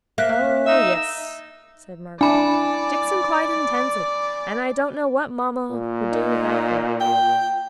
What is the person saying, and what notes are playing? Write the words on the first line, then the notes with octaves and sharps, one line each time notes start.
'Oh, yes!' said Margaret. 'Dixon quite intends it, and I don't know what mamma would do without her.'
A#3 E5 F#6 B6
D#4 E5 E6
D4 E4 D5 G#5 B5
A#2
D#4
G5